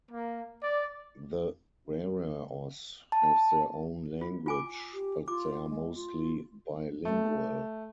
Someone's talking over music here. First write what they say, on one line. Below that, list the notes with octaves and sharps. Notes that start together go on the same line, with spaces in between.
The Waraos have their own language, but they are mostly bilingual.
A#3
D5
A5
F4
F4 G#5 D6
G4
F4 D6
G#3
F4
A3